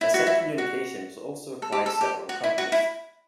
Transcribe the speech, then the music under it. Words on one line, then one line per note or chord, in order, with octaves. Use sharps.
Ascend Communications also acquired several companies.
E4
F#4
E4
F#4
A4
G4
A4
G4
F#4
E4
F#4
E4